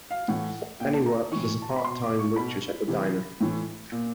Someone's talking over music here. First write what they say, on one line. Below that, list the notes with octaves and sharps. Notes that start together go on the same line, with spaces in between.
Annie works as a part-time Waitress at the diner.
F5
A2 E3 F#5
A#2 G5
A5
A#5
A2 E3 C#6
A5
A#5
B5
B2 C6
D6
C#6
B2 B5
C3 E3
A2 E3
A#2